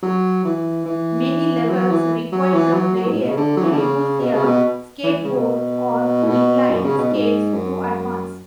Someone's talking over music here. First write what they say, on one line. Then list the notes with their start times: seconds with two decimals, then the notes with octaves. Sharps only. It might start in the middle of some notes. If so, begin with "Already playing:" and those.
Many levels require the player to use a skateboard or inline skates to advance.
0.03 F#3
0.45 E3
0.86 E3
1.70 F#3
1.91 E3
2.32 F#3
2.53 E3
2.73 F#3
2.95 F#3
3.06 G#2
3.14 A2
3.21 B2
3.29 C#3
3.37 D3
3.57 F#3
3.64 E3
3.72 D3
3.78 C#3
4.20 B2
4.33 C#3
4.45 B2
5.03 E3
5.24 C#3
5.35 B2
6.24 A2
6.29 B2
6.70 F#2
6.84 C#3
6.98 B2
7.12 G#2
7.54 F#2